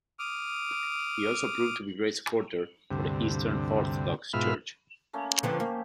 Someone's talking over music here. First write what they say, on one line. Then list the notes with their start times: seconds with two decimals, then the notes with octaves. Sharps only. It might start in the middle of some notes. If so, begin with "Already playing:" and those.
He also proved to be a great supporter for the Eastern Orthodox Church.
0.19 D6 D#6 F6
2.91 D2 G2 C3
4.33 G#2 B2 F4 E5 B5 F6
5.13 A3 A#3 C#4
5.43 D3 F3 B3 G4
5.60 A#3